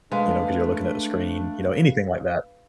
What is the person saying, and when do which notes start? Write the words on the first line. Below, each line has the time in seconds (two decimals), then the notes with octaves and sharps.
you know, 'cause you're looking at the screen, you know, anything like that.
0.12 G#3 A3 D4 B4 F5